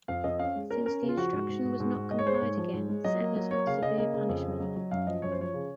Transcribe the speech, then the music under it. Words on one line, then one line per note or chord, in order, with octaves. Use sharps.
Since the instruction was not complied again, settlers got severe punishment.
F2 F5
F2 D#5
C#4 F5
G#3
C#4 A#4
C#4 A#4
C#3
F4
F3 F#4
G#2
G#2
G#2
G#2
G#2
G#2 D#5
C#5
G#3 C5
C#5
G#2
F3
G#2
G#3
F#3 D#5
A#3
F#3
A#3 C#5
C#3 F5
C#3 D#5
A#3 D#5
C#3
F2
C#3
F#3
F#3
F#2 F5
F3 D#5
F#2 C#5
C5
F3 C#5
C#3